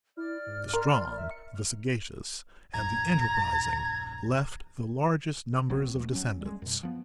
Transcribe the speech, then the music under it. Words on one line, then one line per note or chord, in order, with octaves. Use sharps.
The strong, the sagacious, and the enterprising left the largest numbers of descendants.
E4 D5 F6
G#2
A#4 C6
E5
C#7
F6
D#1 A#1 F#2 A#5 G#6
A#1 F#3 C4
D#2 A3
F#3 C#4
G3 G#3
F#2 B2
F3 B3